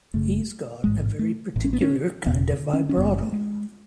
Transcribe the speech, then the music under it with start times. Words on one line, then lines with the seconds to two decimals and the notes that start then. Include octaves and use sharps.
He's got a very particular kind of vibrato.
0.14 F#1 F#2 C#3 A3
0.84 A1 G#2 G#3
1.19 A3
1.56 A1 A2
1.64 C#4
1.73 B3
1.81 C#4
2.26 F#1 E2 B2 B3
2.73 C#4
2.89 C#4
2.97 F#1 F#2 C#3 B3
3.22 A3
3.32 G#3